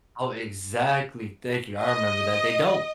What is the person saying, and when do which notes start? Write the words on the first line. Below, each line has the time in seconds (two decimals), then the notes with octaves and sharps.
Oh, exactly, thank you, I remember that. They don't,
1.81 D#5